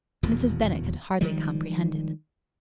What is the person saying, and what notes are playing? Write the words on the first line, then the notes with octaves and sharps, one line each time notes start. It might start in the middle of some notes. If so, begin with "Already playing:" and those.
Mrs. Bennet could hardly comprehend it.
D#1 E2 B2
D#3 F3 G3 G#3